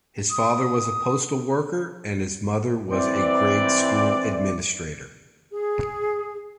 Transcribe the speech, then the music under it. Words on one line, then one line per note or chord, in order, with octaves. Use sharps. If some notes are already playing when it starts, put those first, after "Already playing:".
His father was a postal worker and his mother was a grade school administrator.
D#6
E3 C4 D5
G#4